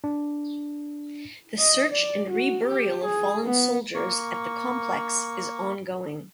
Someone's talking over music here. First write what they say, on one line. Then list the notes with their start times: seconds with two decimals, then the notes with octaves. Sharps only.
The search and reburial of fallen soldiers at the complex is ongoing.
0.04 D4
1.58 D#5
1.92 D5
2.30 F#4
2.66 G4
3.05 G#4
3.44 B3
3.95 A#3 C#6